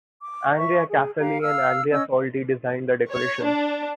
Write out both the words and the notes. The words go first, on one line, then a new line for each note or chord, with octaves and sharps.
Andrea Casali and Andrea Soldi designed the decorations.
D6
E5 C#6
G#4
G4 F5 A#5
F5 E6 F6
C#4 D#5 E6
C#5
D4